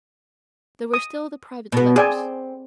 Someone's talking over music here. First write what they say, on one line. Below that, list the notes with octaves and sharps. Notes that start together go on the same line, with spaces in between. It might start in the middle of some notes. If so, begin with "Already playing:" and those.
There were still the private letters.
D#6
B2 B3
C4 G#4 D5 G#5